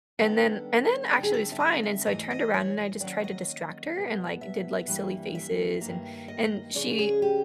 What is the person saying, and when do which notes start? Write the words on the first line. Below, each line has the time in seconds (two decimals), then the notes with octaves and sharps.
and then and then, actually, it was fine, and so I turned around and I just tried to distract her and, like, did, like, silly faces, and and she
0.19 D#3 G3 B3 D4 A4
1.13 D3 G3 C4 D#4 A4
1.23 G#4
1.34 A4
1.52 E5
1.60 D#5
1.83 E5
2.06 G#2 E3 A3 D#5
2.31 D#5
2.54 C#5
2.77 D#5
3.00 D#3 F#3 A#3 C#4 D5
3.24 D#5
3.94 B2 G3 B3
4.41 E5
4.87 G2 E3 G3 A#3
5.35 E5
5.81 G2 D#3 F#3 A#3
6.28 D#5
6.75 C#3 F3 G#3 C#4 D5
6.99 G#4
7.22 G4